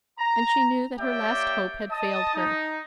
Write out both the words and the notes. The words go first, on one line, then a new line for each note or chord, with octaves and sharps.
And she knew that her last hope had failed her.
A#5
A#3 G4 C#5 D5 E5 G5
D#5 A5 D#6
D#4